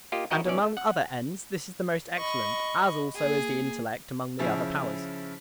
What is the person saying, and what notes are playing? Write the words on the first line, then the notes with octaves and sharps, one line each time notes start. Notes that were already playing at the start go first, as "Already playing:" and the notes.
And among other ends this is the most excellent: as also is the intellect among the other powers.
A#3 F4 G4 D#5
E4 F#4 A#4 D#5 G5
B2 E3 C#4 D5
A3
F#5
D#5 B5 C#6
A#3 G#4
C#3 F3 C#4 E4